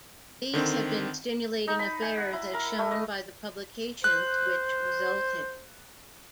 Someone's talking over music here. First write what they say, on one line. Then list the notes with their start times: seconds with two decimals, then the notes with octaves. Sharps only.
These have been stimulating affairs as shown by the publications which resulted.
0.54 D3 D#3 C4
1.67 D#4
1.79 B5
2.02 G#5
2.18 F#5
2.33 E4
2.53 A#4
2.78 A3
2.91 D#5
4.04 C5 F#6